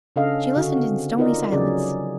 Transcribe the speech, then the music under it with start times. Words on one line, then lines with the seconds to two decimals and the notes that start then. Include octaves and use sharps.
She listened in stony silence.
0.16 C#3 C#4 D4 A4 D#5 F5
0.56 D3 F#4
0.77 C4
1.18 D#4 F4 A#4 D5 D#5
1.52 C#3 F3 F#3 C#4 G#4 D5